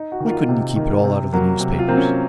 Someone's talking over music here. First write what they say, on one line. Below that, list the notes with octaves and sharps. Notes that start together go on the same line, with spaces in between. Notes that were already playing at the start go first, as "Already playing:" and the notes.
"Why couldn't you keep it all out of the newspapers?"
Already playing: D#4
F#4
D#3
A#3 F4
C3
D#3 A#3
C3
F#3 A#3
C3
F4
F#3 A#3 C4
C#4